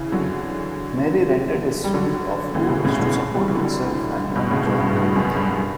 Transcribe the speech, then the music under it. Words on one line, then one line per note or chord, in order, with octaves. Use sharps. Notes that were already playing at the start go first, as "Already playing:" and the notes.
Mary rented a suite of rooms to support herself and young John Owen.
Already playing: C#3 E3
D3 F#3
G3
D3 F#3
C#3 E3
B2 D3
A2 C#3
B2 D3
E3 G3
E3
D3 F#3
G2 B2
A2 C#3
G2 B2
G2
A2
G2
F#2
G2
G2